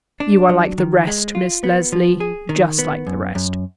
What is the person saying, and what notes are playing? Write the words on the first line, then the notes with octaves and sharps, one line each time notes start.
You are like the rest, Miss Leslie; just like the rest.
D4
F#3
D#3
G#3
F4
B3
F3
G#4
D#3
B3
F#2
F#2